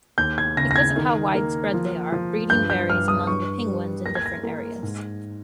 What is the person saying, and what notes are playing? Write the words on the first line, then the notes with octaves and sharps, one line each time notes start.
Because of how widespread they are, breeding varies among the penguins in different areas.
D#2 G6
G#6
C#3 A#6
A#6
G#6
D#3
A#3
F3
F3
G2 G6
G6
G2 F6
D#6
G2 C#6
G3
A#3 A#6
G#6
A#6
A#3
G#2